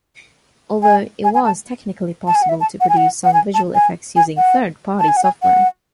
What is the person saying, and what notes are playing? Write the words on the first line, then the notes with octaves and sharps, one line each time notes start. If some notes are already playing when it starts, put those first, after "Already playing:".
Although it was technically possible to produce some visual effects using third-party software.
G#5
G#5
G#5
A5
A5
G#5
F#5
E5
A5
F#5
G#5
F#5
F#5
G#5
A5
G#5
G#5
F#5
A5
G#5
F#5
G#5
F#5